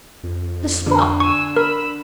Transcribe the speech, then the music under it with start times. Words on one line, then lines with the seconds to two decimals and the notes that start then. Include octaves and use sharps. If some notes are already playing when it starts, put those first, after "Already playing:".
The spot!
0.23 F2
0.86 D3
1.20 G#5 C#6 E6
1.56 A#4 B5 E6